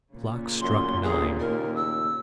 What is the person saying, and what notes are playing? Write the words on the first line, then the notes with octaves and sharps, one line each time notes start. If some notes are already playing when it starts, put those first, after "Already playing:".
The clock struck nine.
A#2 C#3
F#2 C6
G1 G#4
D#2 A#4
E6